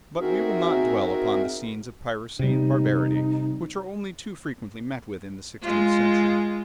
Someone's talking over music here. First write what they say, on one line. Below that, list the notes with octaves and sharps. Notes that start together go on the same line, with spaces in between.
But we will not dwell upon the scenes of piracy and barbarity which are only too frequently met with in the sixteenth century.
C4 D#4 F#4 G#4 A#4 E5
C3 G3 D#4
G#3 F4